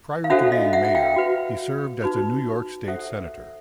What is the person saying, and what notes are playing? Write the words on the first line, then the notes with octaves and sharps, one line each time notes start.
Prior to being mayor, he served as a New York State Senator.
F5
D4 F#4 A4 C5 E5 F#5
D#5 F5
E5 F#5
F#5
F5 G5
F#4 B4
D#4 F#4 B4
A4 C5 E5 F#5